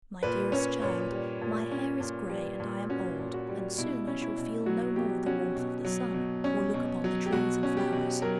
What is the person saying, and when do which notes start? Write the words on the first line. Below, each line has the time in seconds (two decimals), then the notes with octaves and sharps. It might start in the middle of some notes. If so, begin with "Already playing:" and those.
'My dearest child, my hair is grey and I am old, and soon I shall feel no more the warmth of the sun, or look upon the trees and flowers.
0.23 A#2 B4
0.52 C#4 C#5
0.82 A#2 C#5
1.12 G3
1.41 A#2
1.71 C#4
2.00 A#2
2.30 G3
2.60 A#2
2.90 C#4 F#4
3.19 A#2
3.34 F#4
3.49 G3
3.78 B2 E4
4.07 C#4
4.22 E4
4.38 B2
4.66 F#3 F#4
4.96 B2 G4
5.26 C#4 F#4
5.56 B2
5.85 F#3
6.14 B2
6.44 C#4
6.74 B2
7.04 F#3
7.26 G4
7.32 B2 F#4
7.63 C#4
7.77 G4
7.93 B2
8.22 F#3 A#4